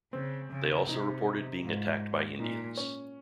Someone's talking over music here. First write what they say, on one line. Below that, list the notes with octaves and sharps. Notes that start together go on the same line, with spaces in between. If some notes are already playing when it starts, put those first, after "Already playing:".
They also reported being attacked by Indians.
C#3 C4
C#3
C3 D#4
G#2 F4
A#2 D#4
C#4